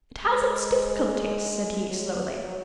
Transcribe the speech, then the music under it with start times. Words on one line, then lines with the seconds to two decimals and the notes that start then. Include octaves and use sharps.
"It has its difficulties," said he slowly.
0.23 G#3
1.87 F#3